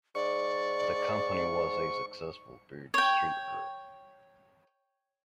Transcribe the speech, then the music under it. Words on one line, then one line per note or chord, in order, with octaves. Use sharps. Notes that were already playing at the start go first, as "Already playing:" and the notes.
The company was a successful beer distributor.
G#2 D5 C#6
C#5 G5